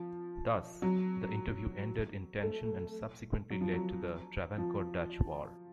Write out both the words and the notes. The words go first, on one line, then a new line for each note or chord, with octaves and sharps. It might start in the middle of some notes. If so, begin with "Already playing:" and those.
Thus, the interview ended in tension and subsequently led to the Travancore-Dutch War.
Already playing: F3
F#3
A3
F#3
F3
F#3
F3